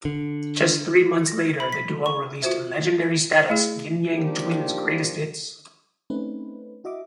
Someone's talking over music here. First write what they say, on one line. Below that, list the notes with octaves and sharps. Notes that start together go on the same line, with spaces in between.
Just three months later, the duo released Legendary Status: Ying Yang Twins Greatest Hits.
D3
A#6
B5
B6
C#6
F4 F#4 C5 E5
A3 E4 G#4
F3 G3 A#3 D4 D#4 G4
A3 C4 C#4 D#4 B4
E4 F#4 D#5 E5 D6